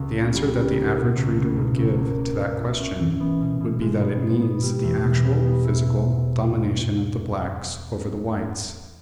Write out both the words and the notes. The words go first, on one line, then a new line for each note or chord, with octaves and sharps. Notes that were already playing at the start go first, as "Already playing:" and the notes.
The answer that the average reader would give to that question would be that it means the actual, physical domination of the blacks over the whites.
Already playing: C#2
C#3
G3
G3
A#3
B2
C#2
C#2
B2
C#2
A#3
A#3
A#3
E4
C#4
E3
B3
B2
B2
G#3
B3
B3
B3
G3
E2
B2
G3
B3
E4
E4